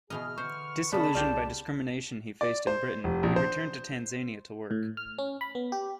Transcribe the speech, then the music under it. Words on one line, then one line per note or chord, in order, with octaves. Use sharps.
Disillusioned by discrimination he faced in Britain, he returned to Tanzania to work.
B2 E3 G#4 D#5 F6
D3 B4 C5 C#6
C#3 B3 A#4 D5 A5 B5
C2 F4 G4 D5
D5
C5
F1
A#1
C5
A2
F6
C#4
B5
B3
G4